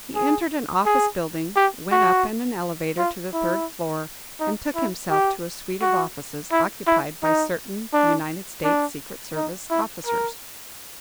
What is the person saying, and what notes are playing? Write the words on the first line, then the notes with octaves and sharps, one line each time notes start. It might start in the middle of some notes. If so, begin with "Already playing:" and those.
He entered an office building, went up in an elevator to the third floor, and took himself to a suite of offices occupied by certain United States secret service officers.
G#4
G#4
G4
F#4
F4
E4
D#4
E4
G4
F#4
E4
E4
D#4
D4
D4
D#4
E4
A#4